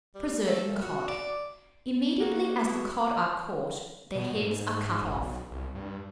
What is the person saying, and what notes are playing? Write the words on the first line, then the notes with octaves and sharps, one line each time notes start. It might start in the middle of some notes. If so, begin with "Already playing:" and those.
PRESERVING COD.--Immediately as the cod are caught, their heads are cut off.
G3
A3
A#2
F#4
D5
A#3 F#4
B3 E4 F#4
B2
G#2
F#1
B1
C2
G2